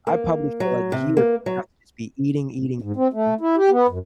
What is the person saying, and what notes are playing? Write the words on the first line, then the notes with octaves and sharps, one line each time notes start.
I'd probably for, like, years have to just be eating, eating, eating,
A#3
F#3
C3
A#3
F#3
G#2
C4
A3
E4
G4
B3
F#2